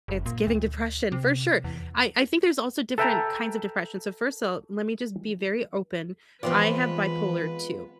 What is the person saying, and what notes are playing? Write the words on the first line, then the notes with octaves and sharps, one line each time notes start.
it's giving depression," for sure, I I think there's also different kinds of depression, so first of all, let me just be very open, I have bipolar II,
F#1
A#2
D2
C3
E2
A4 B4 E5 G5 A5 A#5
E3 F3 G#3 B3 C4 F4 B4 D5